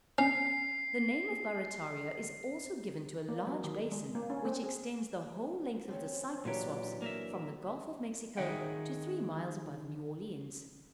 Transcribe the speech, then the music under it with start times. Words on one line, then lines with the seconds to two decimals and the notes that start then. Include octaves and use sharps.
The name of Barrataria is also given to a large basin which extends the whole length of the cypress swamps, from the Gulf of Mexico to three miles above New Orleans.
0.18 C#4 C7
3.28 A#3
3.47 F#3
3.64 D#3
3.92 G#3
4.15 A#3
4.30 C#4
4.45 C4
4.63 G#4
5.88 F3 C4 C#4
6.45 A#2 E3 F#3 D4 G4
7.02 A#3 A#4 E5
8.37 D#3 G#4 D#5 E5 F#5 G5